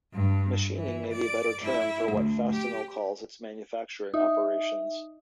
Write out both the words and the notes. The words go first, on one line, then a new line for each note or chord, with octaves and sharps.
Machining may be a better term for what Fastenal calls its "manufacturing" operations.
G2
E3
D5
E4
D2
G4
D#4 E5